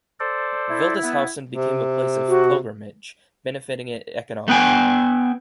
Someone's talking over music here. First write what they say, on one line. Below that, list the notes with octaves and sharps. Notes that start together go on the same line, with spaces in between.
Wildeshausen became a place of pilgrimage, benefiting it economically.
A4 C5 D5
E4
B3
C3
F#4
A3 B3 B4 G5 G#5